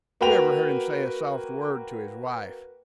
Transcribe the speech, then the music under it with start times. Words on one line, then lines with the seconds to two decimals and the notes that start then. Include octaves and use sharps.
Who ever heard him say a soft word to his wife?
0.21 A#3 F#4 B4 G5 F7